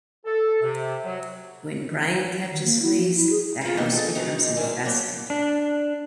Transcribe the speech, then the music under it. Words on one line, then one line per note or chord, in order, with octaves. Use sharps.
When Brian catches fleas, the house becomes infested.
A4
C3
F#3
D#3
A#3
E4
F3
E4
G#4
A3 F4
B2 A#3 D4 D#4 G4
G#4 A4
D#3 E3 F#3 G#3 D#4
G#2 D#3 G3 E4 A#4 G#5
F#3 A#3 G4
D4